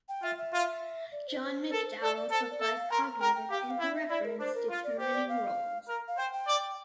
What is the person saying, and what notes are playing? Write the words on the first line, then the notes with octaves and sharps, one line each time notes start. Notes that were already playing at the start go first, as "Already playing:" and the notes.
John McDowell supplies cognitive and reference-determining roles.
G5
F4 E5
E5
F4
D5
C5
C5
A4 A#4
C5
C5
A4 D5
D5
A4 C5
A#4
D5
A4 E5
F5
A#4 C6
A#5
A#4 G5
G5
G4 F5
G5
F5
E4 E5
E4 D5
A#4
D4 C5
A#4
F4
D5
G4 C5
D5
F5
A#4
F5
C5 G5
G5
D5